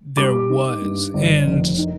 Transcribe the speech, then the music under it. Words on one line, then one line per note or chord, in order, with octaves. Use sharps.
there was, and,
G3 D6
D#3
G2
G1
F1
D#3